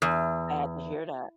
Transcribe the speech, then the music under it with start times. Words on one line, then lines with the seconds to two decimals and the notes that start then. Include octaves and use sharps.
Sad to hear that.
0.02 E2